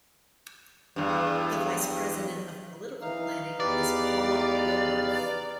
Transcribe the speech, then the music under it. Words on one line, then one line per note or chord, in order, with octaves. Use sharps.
The Vice President of Political Planning is Paula Willmarth.
E2 G2
E3 D#4 F5
E2 G4 B4 D5